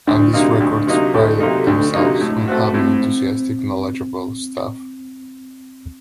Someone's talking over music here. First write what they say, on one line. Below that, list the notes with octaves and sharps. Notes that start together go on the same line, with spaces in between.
Andys Records prided themselves on having enthusiastic knowledgeable staff.
D2 D4
C3 F#3 A#3 D#4
D2
C3 F#3 A#3 D#4
D2 A4
C3 F#3 A#3 D#4
D2 D4
C3 F#3 A#3 D#4
A2
A3 C4 F#4
A2 C4